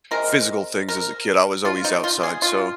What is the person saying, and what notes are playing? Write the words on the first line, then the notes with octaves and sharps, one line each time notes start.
physical things as a kid, I was always outside, so,
C3 G#3 A#4
A#4
F4
D#4
F4
G#4
F4